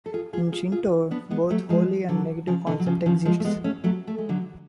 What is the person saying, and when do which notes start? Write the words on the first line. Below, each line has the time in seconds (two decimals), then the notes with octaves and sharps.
In Shinto, both holy and negative concept exists.
0.06 A4
0.14 F4 G#4
0.33 F4 G#4
0.52 F4 G#4
0.72 F4 G#4
1.11 B3 D4
1.31 G#3 B3
1.50 F#3 A3
1.69 F3 G#3
2.09 D3 F#3
2.47 C#3 F3
2.66 B2 D3
2.80 F#3
2.86 C#3 F3
3.06 C#3 F3
3.25 F3 G#3
3.40 A3
3.45 G#3 B3
3.64 A3 C#4
3.84 F#3 A3
4.07 A3
4.18 G#3
4.29 D3 F#3